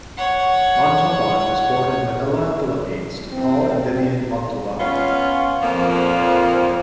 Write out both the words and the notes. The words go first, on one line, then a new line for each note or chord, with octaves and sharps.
Montalban was born in Manila, Philippines to Paul and Vivian Montalban.
C#5 F#5
C4
B3 C#4 F4
F2 A#2 F3 A#3 C4